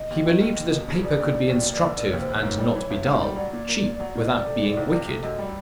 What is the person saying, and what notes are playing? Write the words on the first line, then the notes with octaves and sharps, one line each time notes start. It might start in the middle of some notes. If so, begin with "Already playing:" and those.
He believed that a paper could be instructive and not be dull, cheap without being wicked.
Already playing: D#5
D#2
D#3
D#2
D#2
E1
C#3
E1 D5
D#2
E1
D#2
F1
D3
F1 D5
D#2 C#5
C5
F1 C#5
G#2
G3
E3
A1
G#2
G3
F#3 D5
A#2
A#3
A#2
F#3
A#2
D#5
C3 D5
A3
E3
C#2
C3
A3
F#2 D#5
G3